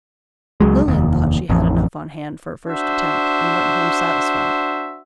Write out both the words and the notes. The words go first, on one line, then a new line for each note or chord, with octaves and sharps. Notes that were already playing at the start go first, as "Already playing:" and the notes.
Lilian thought she had enough on hand for a first attempt and went home satisfied.
C#2 F#3 G#3
F1 D#2
A1 F2
D4 F#4 C5 E5